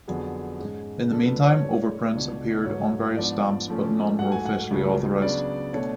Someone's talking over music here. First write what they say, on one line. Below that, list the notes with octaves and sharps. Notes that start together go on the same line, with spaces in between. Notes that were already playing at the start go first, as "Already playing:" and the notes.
In the meantime, overprints appeared on various stamps, but none were officially authorized.
F2 D3 F#3 B3 G#4
G#2 G#3 C#4
C#3 F3 A3 D4 A4
B4
C#5
A2 G#3 D4
C#2 B2 G#3 D4
G#2 F#3 A3 C#5
G#2 F3 B3 D4 D5
A2 F3 A3 C#4
G#2 F#3 A3 F#5
G#5
F#5
C#2 C#3 F#3 A3 C#4
C#3 F#3 B3 D4 D5
B2 A3 D4 C#5